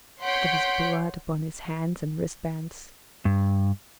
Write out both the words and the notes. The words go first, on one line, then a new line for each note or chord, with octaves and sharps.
There was blood upon his hands and wrist-bands!
C#5 F#5 C6 G6 B6 D7
G2